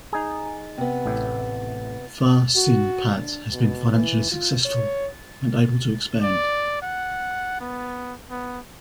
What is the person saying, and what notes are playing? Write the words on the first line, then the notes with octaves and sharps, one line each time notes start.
FaSinPat has been financially successful and able to expand.
D#4 G#4
C3 B3
A1 A2
F#4
D4
B2
E3
F4
C#5
D5
F#5
B3
B3